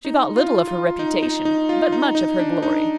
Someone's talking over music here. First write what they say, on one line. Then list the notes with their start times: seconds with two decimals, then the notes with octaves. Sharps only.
She thought little of her reputation, but much of her glory.
0.05 D#4
0.36 F4
0.68 F4
0.99 D#4
1.23 D#4
1.45 D#4
1.69 F4
1.92 D#4
2.15 D#4
2.39 D4
2.63 D#4